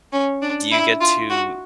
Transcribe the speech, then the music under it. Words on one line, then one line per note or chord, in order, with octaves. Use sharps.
Do you get to
C#4
D4
E4
F4
F#4